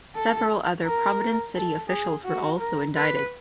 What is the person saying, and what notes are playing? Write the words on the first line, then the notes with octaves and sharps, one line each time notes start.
Several other Providence city officials were also indicted.
A4
A#4
A4
G#4
F#4
A#4
B4